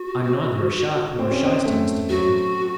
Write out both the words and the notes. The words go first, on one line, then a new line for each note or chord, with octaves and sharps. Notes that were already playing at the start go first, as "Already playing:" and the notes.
I'm neither a shark nor a shyster, Mr. Man.
Already playing: F#4
C4
C#4
C4
A3
F#3 F#4